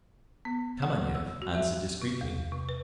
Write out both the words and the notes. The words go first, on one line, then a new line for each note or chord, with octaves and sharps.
Kameniev answered discreetly.
B3
F#5
E6
F#4
E5
C3
E2
C3
B4